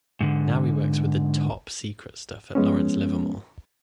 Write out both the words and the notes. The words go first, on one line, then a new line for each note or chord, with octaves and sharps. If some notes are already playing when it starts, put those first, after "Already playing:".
Now, he works with top secret stuff at Lawrence Livermore.
G#2 D3
F3 G#3 B3 C#4